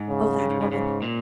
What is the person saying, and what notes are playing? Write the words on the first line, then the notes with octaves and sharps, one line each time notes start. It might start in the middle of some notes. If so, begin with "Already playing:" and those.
Oh, that woman!
Already playing: G#2
C#3
G2
G#2
G#2
G#2 C#3
A#2